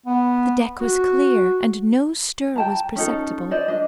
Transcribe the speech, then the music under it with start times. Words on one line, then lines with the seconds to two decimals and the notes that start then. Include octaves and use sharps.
The deck was clear, and no stir was perceptible.
0.06 B3
0.81 F#4
2.56 G5 A5 A#5
2.96 C#4 D#4 A4
3.51 C5 D5 D#5
3.68 D4 D#5